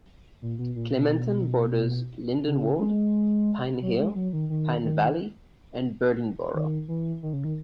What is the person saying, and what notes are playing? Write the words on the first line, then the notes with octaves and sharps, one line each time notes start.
Clementon borders Lindenwold, Pine Hill, Pine Valley, and Berlin Borough.
A#2
B2
A#2
B2
C#3
G#3
F#3
G#3
F#3
D#3
D#3
D#3
D#3
E3
D#3
C#3
D#3